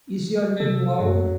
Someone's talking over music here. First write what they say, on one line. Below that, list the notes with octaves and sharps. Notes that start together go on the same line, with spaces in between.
Is your name Lowe?
C3 A4
F#2 F#3